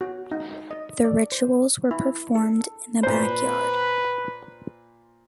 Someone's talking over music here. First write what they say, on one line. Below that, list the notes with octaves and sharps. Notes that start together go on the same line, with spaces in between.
The rituals were performed in the backyard.
F#4
D#4
D#5
D5
C5
E4
A4
A#2 B4 C5